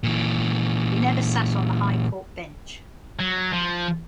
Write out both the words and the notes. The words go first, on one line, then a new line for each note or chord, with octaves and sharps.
He never sat on the High Court bench.
A#2 E3
F#3
F3